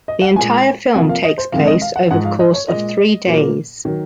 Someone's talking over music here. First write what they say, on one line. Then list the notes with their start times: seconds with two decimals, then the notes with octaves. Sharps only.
The entire film takes place over the course of three days.
0.08 D#5
0.22 F#5
0.36 A#2 G#3 G#5
0.94 C3 F3 A#3 F#5
1.09 F5
1.24 D#5
1.38 C5
1.52 F2 C3 D#3 G#3 F5
1.67 D#5
1.82 F5
1.96 F#5
2.10 G#2 F3 G#3 F#5
2.25 F5
2.40 D#5
2.53 C#5
2.68 A#2 G#3 D#5
3.26 A#2 F#3 A#3
3.85 D#3 F#3